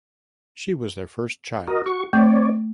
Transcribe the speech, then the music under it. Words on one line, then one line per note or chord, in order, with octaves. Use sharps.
She was their first child.
F#4 A#4 D#5
F#4 C#6
A3 C4 C#5 D5